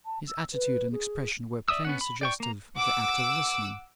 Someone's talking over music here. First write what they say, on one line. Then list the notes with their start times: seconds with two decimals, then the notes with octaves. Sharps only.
His attitude and expression were plainly suggestive of the act of listening.
0.05 A5
0.28 E6
0.53 B4
0.92 G#4
1.68 D5 E5 D#6 E6
1.85 B3 C#4 F#5
2.01 B5
2.21 D5 G5 C#6
2.40 A#3 A#5
2.76 F#5 D6 E6